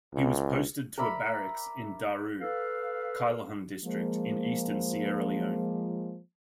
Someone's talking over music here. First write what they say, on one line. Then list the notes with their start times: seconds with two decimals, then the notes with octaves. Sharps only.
He was posted to a barracks in Daru, Kailahun District in Eastern Sierra Leone.
0.14 C#2
0.98 A#4 D5 E5 B5
2.40 A4 B4 F5
3.85 F3 G#3 A#3